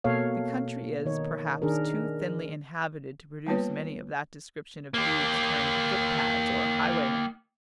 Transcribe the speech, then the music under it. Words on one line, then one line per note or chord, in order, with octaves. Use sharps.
The country is, perhaps, too thinly inhabited to produce many of that description of thieves termed footpads, or highwaymen.
B2 A#3 A4 C#5 F5
D#3 D#4 C#5
D#3 D4 G#4 A#4
G3 A#3 B3 F4 B4 C#5
A#3 G4